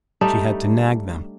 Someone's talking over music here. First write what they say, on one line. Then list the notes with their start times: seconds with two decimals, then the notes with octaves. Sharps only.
She had to nag them.
0.21 G3 A3 D4 D#4